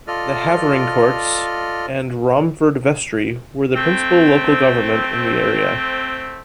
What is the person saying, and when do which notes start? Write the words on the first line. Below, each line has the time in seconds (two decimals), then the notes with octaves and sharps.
The Havering courts and Romford vestry were the principal local government in the area.
0.07 F4 A4 D5 D#5 F6
3.75 A3 C4